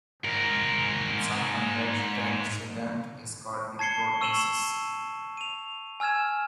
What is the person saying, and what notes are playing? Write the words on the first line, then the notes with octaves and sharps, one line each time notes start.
In some contexts the antecedent is called the protasis.
G#2 A#4
A5 G#6 C7 C#7 G7
C#6 E6 D#7 E7 F#7 G7
D#7 F7
G#5 E6 F6 G#6 E7